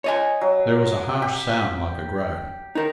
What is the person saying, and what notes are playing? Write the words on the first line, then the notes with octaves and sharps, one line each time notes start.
There was a harsh sound like a groan.
C#5 D#5 G#5
F#3
G4
D#4 A#4